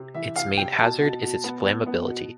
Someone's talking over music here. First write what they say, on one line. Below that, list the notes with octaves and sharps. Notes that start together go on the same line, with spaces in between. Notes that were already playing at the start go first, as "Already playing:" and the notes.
Its main hazard is its flammability.
Already playing: C3
E3 E5
C3 F5
C3 G5
B2 A5
B2
B2
B3
B3
B3
B2